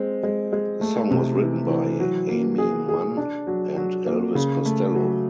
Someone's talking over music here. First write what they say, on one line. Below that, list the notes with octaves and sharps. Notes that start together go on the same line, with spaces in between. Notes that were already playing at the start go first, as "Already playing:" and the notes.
The song was written by Aimee Mann and Elvis Costello.
Already playing: G#3 C4
G#3
G#3
A3
C3
E3
E3
F#3
A#3
G#4
G#4
D4
F#3
F#3
A#3
C#3
A3
F#3